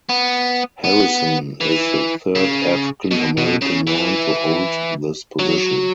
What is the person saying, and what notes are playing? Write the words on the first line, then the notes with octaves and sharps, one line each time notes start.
Harrison is the third African American man to hold this position.
B3
B3
E3
C#3
B2
B2
C#3
E3
F#3